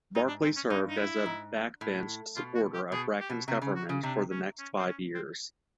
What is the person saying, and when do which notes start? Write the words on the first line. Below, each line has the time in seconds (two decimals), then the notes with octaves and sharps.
Barclay served as a backbench supporter of Bracken's government for the next five years.
0.15 G#2 D#4
0.28 D4
0.42 C4
0.56 C#4
0.70 G2 D#4
0.89 D#4
0.97 E4
1.26 G#2
1.81 A2
2.36 B2 F4
2.55 F#4
2.74 G4
2.92 B2 G#4
3.20 G4
3.30 B2
3.48 C3 F#4
3.62 C#3
3.75 F#4
3.89 C#3
4.03 C3 D4
4.31 C#4
4.59 C#4
4.79 C4
4.87 C#4
5.15 C4